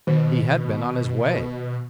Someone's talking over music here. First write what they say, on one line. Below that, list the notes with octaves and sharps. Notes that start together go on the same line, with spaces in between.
He had been on his way.
B2 D#3